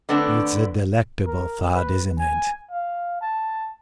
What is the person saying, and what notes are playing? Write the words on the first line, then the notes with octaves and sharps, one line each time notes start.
It's a delectable thought, isn't it?
D3 A3 B3 C4 D4
A#4
B4
G#5
F5
A5